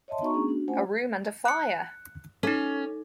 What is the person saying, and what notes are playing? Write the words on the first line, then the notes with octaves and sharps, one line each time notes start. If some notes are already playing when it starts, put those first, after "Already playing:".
A room and a fire!
C#5 D#5 E5 A5 C6
B3 D#4 F#4 A#5 C#6
A3 B3 C#4 D4 G#4
D4 F#4
A3 C#4 F4 C5 F#5 G#5
F#6 C#7
C#4 D#4 A4